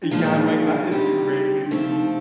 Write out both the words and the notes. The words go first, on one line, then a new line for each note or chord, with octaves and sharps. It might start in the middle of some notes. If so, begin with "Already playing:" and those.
Eh, yeah, I'm like that is crazy to me.
D4
A#2 F3 G#3 D#4
D#4
D4
G3 C4 D#4 G4
D4
F3 A3 C4 D#4
D#4